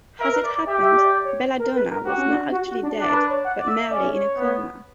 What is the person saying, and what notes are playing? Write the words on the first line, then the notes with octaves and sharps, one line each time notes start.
As it happened, Bella Donna was not actually dead, but merely in a coma.
A#4 E5
B4
D5
D5
G4 E5
E5
D5
D5
C#5
A#4
B4
A#4
F#4 G4
C#4
D4
F#4
F#4
D4
D4
A#4
B4
C#5
F#5
D5
E5
E5
C#4 D5
C#5
B3